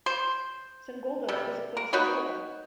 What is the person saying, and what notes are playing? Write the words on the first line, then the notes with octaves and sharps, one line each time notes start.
Sangolda is a place in Goa.
C5
C3 G3
A#4
D#4 F#4 B4 C#5